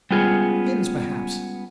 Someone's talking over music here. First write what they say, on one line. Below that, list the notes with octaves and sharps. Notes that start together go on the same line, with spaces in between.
Skins perhaps.
G3 G#3 B3 C#4 F4 G#4